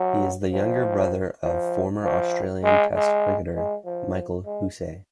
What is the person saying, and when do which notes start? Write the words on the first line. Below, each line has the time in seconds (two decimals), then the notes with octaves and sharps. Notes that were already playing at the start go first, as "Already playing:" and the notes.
He is the younger brother of former Australian Test cricketer Michael Hussey.
Already playing: F#3
0.52 F3
1.43 F3
2.03 F3
2.64 G#3
2.94 G#3
3.55 G#3
3.85 F3
4.46 G#3